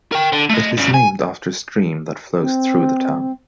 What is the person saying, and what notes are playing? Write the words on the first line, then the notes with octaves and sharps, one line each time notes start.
It is named after a stream that flows through the town.
A#4 G5
D3
A3 D#5
G2 C#3
G#5
C4